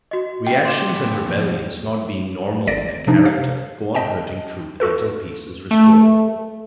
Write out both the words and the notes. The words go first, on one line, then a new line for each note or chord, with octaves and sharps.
Reactions and rebellions, not being normal in their character, go on hurting truth until peace is restored.
F#4 D#5
C#4 F4 G4 G5
C6 D6 E7
A2 A3 B3
B2 F3 A#3
G#1 D5 A#6 D7
C3 F3 D4 D#4
G4 F5
D#5 G5 A5
F4 F#4 A4 B4
A3